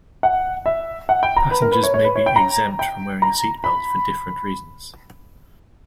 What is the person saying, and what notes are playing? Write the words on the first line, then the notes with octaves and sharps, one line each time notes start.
Passengers may be exempt from wearing a seat belt for different reasons.
F#5
E5
F#5
G5
A#5
B4
A#4
B4
C#5
C#5
B4
C#5
G5
A#5
G5
A#5
B5